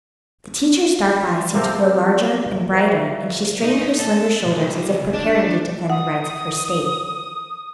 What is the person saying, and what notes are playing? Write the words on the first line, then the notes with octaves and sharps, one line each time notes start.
The teacher's dark eyes seemed to grow larger and brighter, and she straightened her slender shoulders as if preparing to defend the rights of her State.
C3 A#3 C4 A4 A#4 C5
A#4 C5 D5 E5 F5
D#4
A4
C2
D4
F#5 D#6